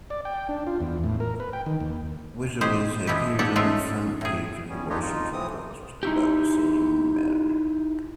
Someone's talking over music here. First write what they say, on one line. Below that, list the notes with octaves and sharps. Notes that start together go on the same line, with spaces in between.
Witteles appeared on the front page of The Washington Post about the same matter.
D5
G5
D4
F4
E2
A2
A#4
B4
G5
D#3
D#2
G#3 G4 G#4 C5
F3 G#3 B3 E4 G4
G4 A4 C#5 D5 F#5
F#3 G#3 A3 C#4 F4 A#4
A2 G#4
G3 B3 C#4
D4 D#4 F4 G4 C#5 D#5
F2 D#4 F4
F2 A2 E3 F3 C4 D#6
D#4 E4 G4